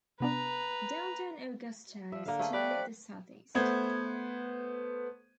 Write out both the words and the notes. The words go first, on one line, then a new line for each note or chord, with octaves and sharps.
Downtown Augusta is to the southeast.
C3 B3 D4 B4 A#5
F3 E5
D3 A#3 F5
A3 C#4 G#4 F5 A5
G3 D5 G5 F#6 B6
C5
A3 B3 C5 G#6